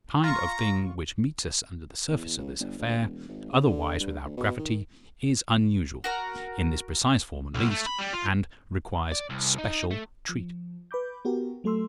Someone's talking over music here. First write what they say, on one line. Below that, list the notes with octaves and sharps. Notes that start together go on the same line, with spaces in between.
"The kind of thing which meets us under the surface of this affair, otherwise without gravity, is unusual--in this precise form at least--and requires special treatment."
F4 A#5 C#6
E2
C#2
G1
D2
E1
G#1
C#3
D3
G2
D2
B2
D#3
F#4 A#4 A#5
B1
A3
B5
G3
F4
D5
C2
D#4
A3
F3
B4 B5 D6 G6
B3 F#4 G4 A#4
F#3 A3 A4 C6 E6